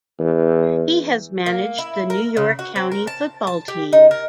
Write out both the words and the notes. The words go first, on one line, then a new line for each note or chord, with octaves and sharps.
He has managed the New York county football team.
E2
A#3
E4
A#4
C#3
F#4
C4
A#4
A5
A5
G4
D#4
A#4